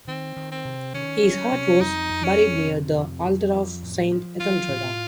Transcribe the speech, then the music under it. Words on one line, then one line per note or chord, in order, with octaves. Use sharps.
His heart was buried near the altar of Saint Etheldreda.
D#3 C4
D#3
C4
C3
D#3 C#4
F#3
C3
F2 D#4
F2
C#4
F2
C3
F2
F2
F3
A2
F3
F3 F4
A2